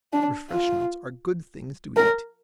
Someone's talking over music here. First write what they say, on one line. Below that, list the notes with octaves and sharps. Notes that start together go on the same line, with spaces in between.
"Refreshments are good things to eat!"
D4
F4
A#4